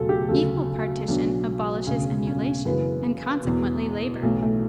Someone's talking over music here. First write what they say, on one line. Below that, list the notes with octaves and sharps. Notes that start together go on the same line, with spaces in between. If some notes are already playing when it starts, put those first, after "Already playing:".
Equal partition abolishes emulation; and consequently labor.
Already playing: E1 D2 C#3 F#3 A4
G4
D2 C#3 F#3 A4
B1 B2 F#3 D4
E1 D2 C#3 C#4
C#4
F#1 F#2 C#3 E3 B3
E1 E2 B2
B1 A2 E3 A3
A3